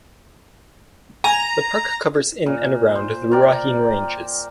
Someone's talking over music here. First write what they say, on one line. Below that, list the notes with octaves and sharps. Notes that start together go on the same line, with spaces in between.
The park covers in and around the Ruahine Ranges.
G#5 A#5
A#2
C5
A#4 D5 G5